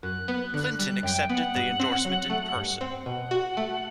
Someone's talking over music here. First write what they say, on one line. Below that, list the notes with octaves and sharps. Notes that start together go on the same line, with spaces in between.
Clinton accepted the endorsement in person.
F#2 F#6
B3
D3
G3 F#6
F#2 G5
B3 F#5
G2
C4
F#3
A3
G2
C4
B2 F#5
F#4
A3